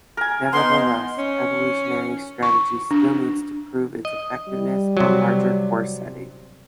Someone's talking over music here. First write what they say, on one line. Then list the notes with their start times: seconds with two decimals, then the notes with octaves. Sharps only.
Nevertheless, evolutionary strategy still needs to prove its effectiveness on larger core settings.
0.17 A#4 G#5
0.53 B3 D#4 C6
1.18 C#4
2.42 C#6
2.91 D4
4.05 D#5
4.49 G3
4.97 C3 F#3